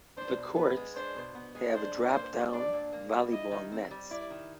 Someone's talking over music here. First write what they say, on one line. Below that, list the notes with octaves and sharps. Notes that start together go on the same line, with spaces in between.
The courts have drop-down volleyball nets.
D4 C5
B2
B3 B4
G#3
D4 C5
B2
B3
G#3
D4 C5
A#2
A#3 C5
G3
D4 D5
A#2
A#3
G3
E4 D#5
D#3
C4
G3
E4 D5
D#3